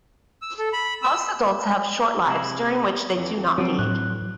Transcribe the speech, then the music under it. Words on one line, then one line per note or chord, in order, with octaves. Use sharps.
Most adults have short lives during which they do not feed.
E6
A4
B5
E6
C3 G#3 E4
F2 E3
F3 F#3 C4
A2 F#6